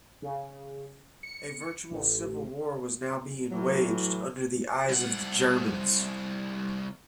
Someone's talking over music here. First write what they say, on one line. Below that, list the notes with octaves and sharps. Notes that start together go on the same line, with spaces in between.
A virtual civil war was now being waged under the eyes of the Germans.
C#3
C#7
A1
A2 E3 F#3
C2 F#5